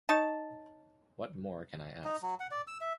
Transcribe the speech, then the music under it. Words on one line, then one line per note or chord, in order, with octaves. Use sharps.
What More Can I Ask?
D#4 C#5 A5
D#4
F#3
F#5
D5
E6
E5